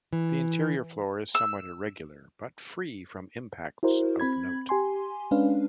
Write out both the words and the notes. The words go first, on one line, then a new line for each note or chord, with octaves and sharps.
The interior floor is somewhat irregular, but free from impacts of note.
E3
E6
E4 F#4 A#4 C5
C4 B5 G#6
G4 G#5 C6
G#3 C#4 D4 B4 F5